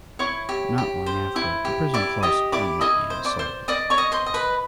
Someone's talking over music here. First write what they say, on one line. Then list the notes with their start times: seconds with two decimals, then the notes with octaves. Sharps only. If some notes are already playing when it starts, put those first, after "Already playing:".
Not long after, the prison closed permanently and sold.
0.19 E4 C#5 C#6
0.49 G4
0.78 G4
1.06 C5
1.36 E4
1.65 G4
1.94 E4 D5 D6
2.23 G4 D#5 D#6
2.52 E4 D5 D6
2.81 E4 D#5 D#6
3.10 C5
3.25 D5 D6
3.39 C5
3.68 D5 D#5 D6
3.90 C#5 C#6
3.98 D#5
4.12 C5 C6
4.26 D#5
4.34 B4 B5